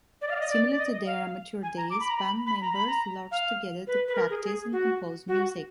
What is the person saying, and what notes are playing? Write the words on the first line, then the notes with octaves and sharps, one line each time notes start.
Similar to their amateur days, band members lodged together to practise and compose music.
D5
D#5
F5
D5
D#5
D5
D5
D#5
D#5
F5
G#5
A#5
D6
B5
A#5
B5
B5
A#5
B5
A#5
F5
B4
B4
A#4
G#4
G#4
F#4
F#4